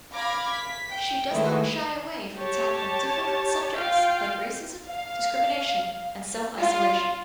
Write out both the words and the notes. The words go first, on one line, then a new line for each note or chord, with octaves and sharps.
She does not shy away from tackling difficult subjects like racism, discrimination and self-isolation.
F5 B5 D6 F6 G#6 A#6
B6
G5
D#3 G#3 A3 E4 B4 C5
G4 C#5 A5
F4 F5 G5
F5
F4